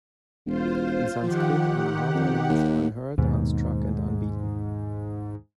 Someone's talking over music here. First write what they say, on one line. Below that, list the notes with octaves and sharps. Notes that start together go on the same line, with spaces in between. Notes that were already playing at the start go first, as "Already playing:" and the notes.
In Sanskrit, "anahata" means "unhurt, unstruck, and unbeaten".
E1 F4 C5
D#3 F3 G4 F#5
F2
D#2
D#2 G#2 B2